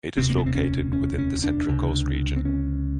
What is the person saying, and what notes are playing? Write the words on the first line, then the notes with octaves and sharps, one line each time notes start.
It is located within the Central Coast region.
E1 D2 C3 C4
A#3
B3
C4
C#4
C#4
C#4
D4
C#2 C3
C4
C#4